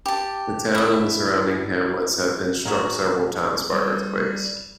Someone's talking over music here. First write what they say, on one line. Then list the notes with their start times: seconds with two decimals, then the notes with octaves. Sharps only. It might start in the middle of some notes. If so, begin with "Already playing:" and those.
The town and the surrounding hamlets have been struck several times by earthquakes.
0.06 G4 A5
0.75 E4 E5
2.65 A2 D4 F#4 G#4 A#4
3.73 G3